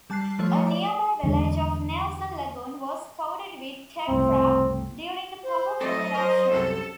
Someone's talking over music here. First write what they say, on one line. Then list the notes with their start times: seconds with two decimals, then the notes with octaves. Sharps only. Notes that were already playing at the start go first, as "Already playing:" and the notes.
The nearby village of Nelson Lagoon was coated with tephra during the powerful eruption.
0.10 G3 A5 F#6 C7
0.39 F3 A3 C#5
0.66 D5 D6
1.23 E2 D3 G#3
4.08 F#1 C2 A2 C4
5.43 C5
5.81 F#3 A3 C4 A4 D#5
6.15 A#4 C5
6.51 C2 F#2 C3 A4